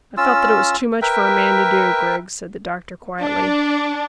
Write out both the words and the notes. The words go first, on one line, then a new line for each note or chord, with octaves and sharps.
"I felt that it was too much for a man to do, Griggs," said the doctor quietly.
C#4 F4 E6
A#4 B4 E5 G5
D4